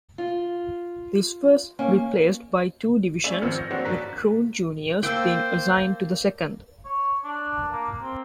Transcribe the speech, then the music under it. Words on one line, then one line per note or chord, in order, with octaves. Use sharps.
This was replaced by two Divisions with Troon Juniors being assigned to the Second.
F4
A#3 C#4
A3 C#4 D5 E5
G#1 F3 C4 F6 C#7 F#7
G6 A#6
F#3 A#3 C4 D4 C#5 F#5
A#1 D4 F#4 A#4 B6
A#3 A4 C5 G5
C#5
D4
A#3
C4